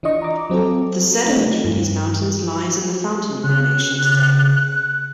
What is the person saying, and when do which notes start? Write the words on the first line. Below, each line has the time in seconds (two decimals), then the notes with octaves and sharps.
The sediment from these mountains lies in the Fountain Formation today.
0.03 E3 D4 F4 D#5 C#6
0.22 A#5 D6
0.50 F#3 C4 F4 A4
1.26 A3 C4 D#4
1.64 G2
3.44 C#3 F#6